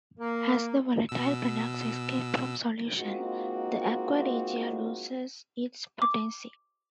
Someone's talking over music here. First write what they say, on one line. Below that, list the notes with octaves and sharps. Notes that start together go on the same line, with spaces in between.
As the volatile products escape from solution, the aqua regia loses its potency.
A#3
B2 E6
G#3 A#3 C4 D#4 F4 F#4
D6